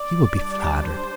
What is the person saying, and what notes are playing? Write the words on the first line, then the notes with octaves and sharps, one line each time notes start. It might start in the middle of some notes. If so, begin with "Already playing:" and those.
He will be flattered.
Already playing: D5
G3 D4
C5